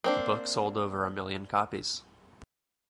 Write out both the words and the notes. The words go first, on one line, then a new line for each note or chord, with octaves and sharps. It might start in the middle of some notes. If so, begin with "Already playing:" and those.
The book sold over a million copies.
A#3 C4 D4